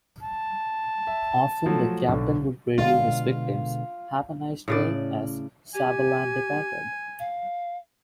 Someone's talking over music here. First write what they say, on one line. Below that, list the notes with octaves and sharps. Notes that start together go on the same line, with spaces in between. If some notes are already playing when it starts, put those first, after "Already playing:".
Often, the captain would radio his victims "Have a nice day" as "Sabalan" departed.
A5
E5
F3 F#3 A3
B1 D3
B2 D3 G#3 F4
A2 C#3 D5
G4 G#5
F5